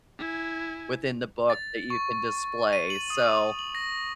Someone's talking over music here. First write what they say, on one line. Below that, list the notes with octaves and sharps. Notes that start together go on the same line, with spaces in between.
within the book that you can display, so
E4 G#5
A6
C#6
D#7
F#7
D#6
F#7
A#6